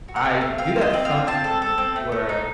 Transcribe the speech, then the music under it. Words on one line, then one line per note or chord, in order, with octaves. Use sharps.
I do that sometimes where
F#4
F#5
A3 F5
A3
C4 F5
F4
D#5
C4
F5
F4
C4 A5
A4
A4
C4
A3
A3
D#4